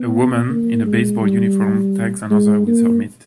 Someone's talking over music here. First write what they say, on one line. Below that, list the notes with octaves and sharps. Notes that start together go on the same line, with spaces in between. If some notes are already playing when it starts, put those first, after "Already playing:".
A woman in a baseball uniform tags another with her mitt.
Already playing: B3
A#3
G#3
G3
G#3
A#3